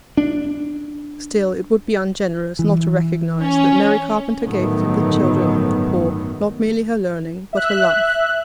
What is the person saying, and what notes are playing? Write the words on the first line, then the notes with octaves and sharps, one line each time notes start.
Still, it would be ungenerous not to recognise that Mary Carpenter gave to the children of the poor not merely her learning, but her love.
D4
E3
C#4
G1 A2 D#3 F#3 A3 B3
E5 F#6